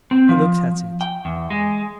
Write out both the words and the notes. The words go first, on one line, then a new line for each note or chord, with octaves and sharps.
He looked at it.
C4
F3
G5
E2
G#3